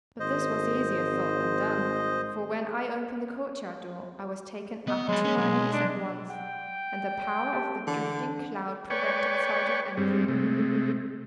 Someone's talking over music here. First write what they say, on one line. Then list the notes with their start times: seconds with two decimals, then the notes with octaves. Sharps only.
But this was easier thought than done; for when I opened the courtyard door, I was taken up to my knees at once, and the power of the drifting cloud prevented sight of anything.
0.20 G#1 C5 D#5
4.88 B3 D#5
5.08 F#3 G#3 B5
5.24 C#4 C#5
5.38 B2 F#3
5.73 D4
6.30 F#5 G5
7.53 A#3 G4 A5
7.87 D3 E3
8.90 B4 C#5 D5 G5 G#5 C#6
9.97 G2 G3 G#3 C4
10.28 C3 G#3 A3